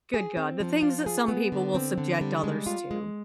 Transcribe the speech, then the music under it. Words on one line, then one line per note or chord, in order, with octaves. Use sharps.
good god, the things that some people will subject others to.
G#4
C4
F3
F4
G#4
B3
D3
C4
D3
G3
G#3
F4
G#3